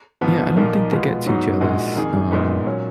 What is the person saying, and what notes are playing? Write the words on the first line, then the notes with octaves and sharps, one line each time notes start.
Yeah, I don't think they get too jealous. Um,
G#2 F3 B3
B1 A#2 F3 A#3 D#4
B2 G#3 B3 F4
G#2 F#3 B3 D#4 F#4
A#1 A#2 G#3 D#4 F#4
F2 D#3 A#3 D#4 G#4
A#1 A#2 G#3 B3 D#4
A#2 F#3 C#4